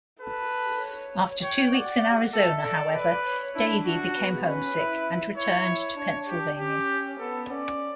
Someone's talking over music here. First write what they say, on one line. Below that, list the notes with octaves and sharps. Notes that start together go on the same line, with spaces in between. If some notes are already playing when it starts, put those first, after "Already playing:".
After two weeks in Arizona, however, Davie became homesick and returned to Pennsylvania.
A4 B4
C#5
C#5 G5
D5 F#5
A4 E5
A4 D5
B4
C#5
D4 E4
F#4
B3
C#4 B4
E4
E4 C#5
D4 C#5
G4
C#4 G4
B3 A4
C#4 D5